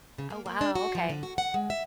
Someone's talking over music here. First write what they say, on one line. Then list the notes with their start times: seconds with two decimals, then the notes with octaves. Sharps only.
Oh, wow. Okay.
0.18 C#3
0.30 A#3
0.46 A#3
0.61 D4
0.75 F#4
0.95 F3
1.10 D3
1.23 F#4
1.38 F#5
1.54 G#3
1.70 E5